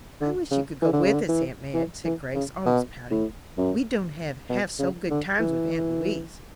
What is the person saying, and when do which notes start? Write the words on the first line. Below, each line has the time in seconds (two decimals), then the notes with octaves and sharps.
"I wish you could go with us, aunt Madge," said Grace, almost pouting; "we don't have half so good times with aunt Louise."
0.21 D3
0.51 C#3
0.82 E3
0.93 D3
1.04 C#3
1.14 D3
1.29 E3
1.74 E3
2.04 E3
2.34 C#3
2.66 B2
3.11 A2
3.58 F#2
4.49 B2
4.79 C#3
5.11 D3
5.40 E3